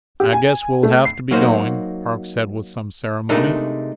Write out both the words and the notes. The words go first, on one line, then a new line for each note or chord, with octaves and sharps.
"I guess we'll have to be going," Park said with some ceremony.
G4
G#5
A3
C7
F#3 A#3 D#4 F#4 C5
C3 G#3 A3 D4 D#4 A#4